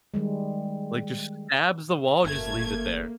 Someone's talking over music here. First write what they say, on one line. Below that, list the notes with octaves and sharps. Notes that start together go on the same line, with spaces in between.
Like, just stabs the wall and just leaves it there,
D#3 G3 G#3
F#1 A3 A#3 G#6